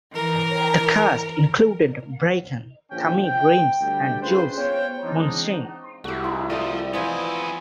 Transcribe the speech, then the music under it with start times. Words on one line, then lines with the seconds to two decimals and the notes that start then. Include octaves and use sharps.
The cast included Bracken, Tammy Grimes, and Jules Munshin.
0.12 E3 A#4 A#5
2.91 A#1 D3 F3 C#4 G5
3.23 G5
3.81 D2 G3 G5
4.22 C#4 F4 G#4 B4 C5
4.58 B3 C5 C#5 F5 G5
5.04 E3 G#3 C4 D4 D#4
6.04 C2 A3 E4 F#4 G4
6.24 D#4 E4 C6
6.50 F3 G3 A3 D#5
6.93 E3 F3 B3 C4 E4 C5 D#5 G#5